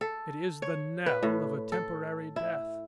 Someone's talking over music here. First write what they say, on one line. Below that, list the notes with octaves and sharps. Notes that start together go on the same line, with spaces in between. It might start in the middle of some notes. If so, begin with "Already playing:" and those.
It is the knell of a temporary death.
A4
C#5
B4
A2
A4
E4